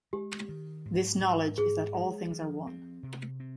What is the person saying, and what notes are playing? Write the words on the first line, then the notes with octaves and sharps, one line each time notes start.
This knowledge is that all things are one.
G#3 G4
D#3
G#2
G#2
G#2 G#4
G#3
F3
C4
C3
C4